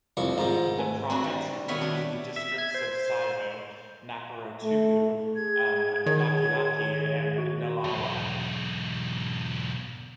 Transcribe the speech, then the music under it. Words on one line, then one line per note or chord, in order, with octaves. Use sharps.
The province includes the districts of Saivou, Nakorotubu, Rakiraki, and Nalawa.
F1 C2 F2 F3 C#6
G#2 D#3 C4 F4 A#5
A3 B4 G#5
C4 D4 F#4
G3
D#3 B3 C#5 E5 B5
D4
E5
G#6
C5
A3
G#4 G#6
D#3 C#5
F#4
B1 E2